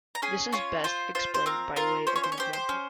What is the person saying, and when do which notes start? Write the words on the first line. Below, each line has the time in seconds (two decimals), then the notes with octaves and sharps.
This is best explained by way of an example.
0.15 A#5
0.22 C#4 G#4 G#5
0.53 C#4 F4 C#5
0.84 F4 C5
1.15 F4 C5
1.34 C5
1.46 C4 A#4
1.76 F4 A#4
2.07 C#4 C5
2.16 C#5
2.23 C5
2.32 C#5
2.38 G4 C5
2.53 C5
2.69 C#4